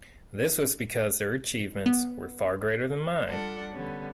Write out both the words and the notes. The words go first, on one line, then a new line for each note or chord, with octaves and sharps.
This was because their achievements were far greater than mine.
B3
G3 D4 F4 A4 F#5
D3 G3 B3 C#4